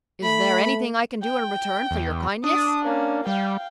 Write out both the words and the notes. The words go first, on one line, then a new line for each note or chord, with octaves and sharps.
"Is there anything I can do in return for your kindness?"
A3 B5
G5
E2
D4 D#6
A#3 C#4
G3 F5 G5